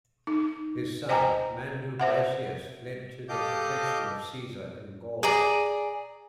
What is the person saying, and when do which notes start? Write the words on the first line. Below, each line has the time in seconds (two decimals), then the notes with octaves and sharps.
His son, Mandubracius, fled to the protection of Caesar in Gaul.
0.27 D#4
1.09 C5 D#5 G5 G#5 A#5
2.00 C5 E5 F#5
3.28 G4 A4 D#5 F5 D6 G6
5.23 G#4 D5 A#5